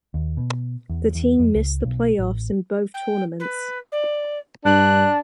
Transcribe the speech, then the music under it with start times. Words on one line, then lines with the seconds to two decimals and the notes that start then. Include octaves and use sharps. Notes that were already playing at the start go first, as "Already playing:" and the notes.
The team missed the playoffs in both tournaments.
0.14 D#2
0.37 B2
0.89 E2
1.15 E2
1.39 F2
1.55 C#2
1.85 B1
2.19 A1
2.94 G5
3.40 B4
3.92 D5
4.65 G2 D4 F#6